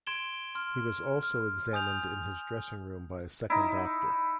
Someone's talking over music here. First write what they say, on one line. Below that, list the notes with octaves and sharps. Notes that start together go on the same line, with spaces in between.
He was also examined in his dressing room by a second doctor.
C6 G#6 D7 E7 G7
C6 F6
F6
G#5 D#6 G6 F7
D#4 E4